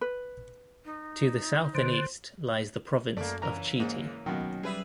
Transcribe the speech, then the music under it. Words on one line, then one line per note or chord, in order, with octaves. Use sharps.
To the south and east lies the Province of Chieti.
B4
D#4
D3 C5
F#2 A3 A#3 D5
C#3 E3 A#4 A#5
G#2 A#3
B2 D#3 F#3 C#4
G3 G#4 B4 E5